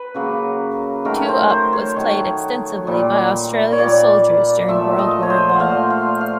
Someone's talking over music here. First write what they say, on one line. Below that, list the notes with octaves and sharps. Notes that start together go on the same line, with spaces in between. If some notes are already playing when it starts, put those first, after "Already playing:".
Two-up was played extensively by Australia's soldiers during World War One.
Already playing: B4
C#3 F#3 A#3
D#3 F#3 A3 A#4
C#5
C5
C5
C#5
D#3 F#3 A3
A#2 G3 A#3
C#5
A#2 G3 A#3 D5
A#2 F3 A3 E5
D#5
C#5
C5
F#5
A#2 F3 A3 F5
F5
F5